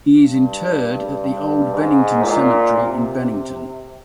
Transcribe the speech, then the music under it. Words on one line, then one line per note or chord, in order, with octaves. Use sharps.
He is interred at the Old Bennington Cemetery in Bennington.
G2
G2
G#2
A#2
C3